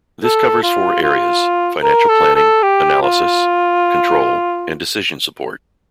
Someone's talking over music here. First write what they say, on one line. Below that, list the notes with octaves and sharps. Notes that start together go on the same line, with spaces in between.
This covers four areas: financial planning, analysis, control, and decision support.
A4
F4
F4
A#4
A4
A4
G4
F4